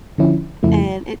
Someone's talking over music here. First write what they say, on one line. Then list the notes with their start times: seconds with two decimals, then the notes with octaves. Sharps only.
and it
0.18 D3 F3 C#4 E4
0.63 F2 C#3 F3 A3 E4